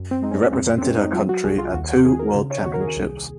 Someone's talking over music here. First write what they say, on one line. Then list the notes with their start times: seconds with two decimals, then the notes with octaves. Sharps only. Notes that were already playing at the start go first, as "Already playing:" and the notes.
She represented her country at two World Championships.
Already playing: F#2
0.11 C4
0.22 G#3 D#4
0.32 C#4
0.52 F2 C4
0.78 C4
0.83 G#3 C#4
0.98 D#4
1.13 F#3 F4
1.29 F#4
1.44 C2 G#4
1.58 F4
1.74 D#2 F#4
1.89 F#4
2.05 D#3 G#4
2.19 A#4
2.35 C#3
2.51 C#5
2.65 D#2 F#4
2.74 A#4
2.81 G#4
2.96 C2